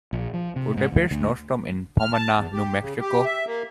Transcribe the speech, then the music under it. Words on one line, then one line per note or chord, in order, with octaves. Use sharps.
Will there be a snowstorm in Pomona, New Mexico?
A#1
F3
C3
G#2
D2
D2
F6
A5
E2
G4
C#3
G4
E5
A#3